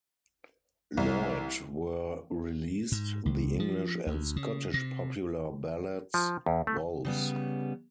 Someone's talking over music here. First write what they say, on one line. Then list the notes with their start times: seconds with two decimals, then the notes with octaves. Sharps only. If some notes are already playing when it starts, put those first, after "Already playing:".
Lloyd were released: The English and Scottish Popular Ballads, Vols.
0.97 C2
2.92 G#2
3.26 C#2
3.60 F3
4.07 D2
4.36 C#3
4.74 C3
6.14 F3
6.46 E2
6.67 A3
7.05 C#3 G3 B3